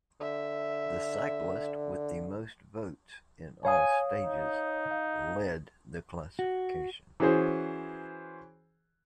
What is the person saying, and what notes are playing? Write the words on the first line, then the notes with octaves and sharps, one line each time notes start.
The cyclist with the most votes in all stages lead the classification.
D3 E5
C#5 F5 G#5 D#6
D#4
F5
F#4
E3 C#4 F#4 G#4 C5